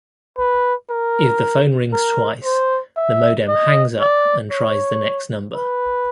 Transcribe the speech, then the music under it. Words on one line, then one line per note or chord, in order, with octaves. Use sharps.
If the phone rings twice, the modem hangs up and tries the next number.
B4
A#4
A#4
C5
E5
D#5
D5
C#5
B4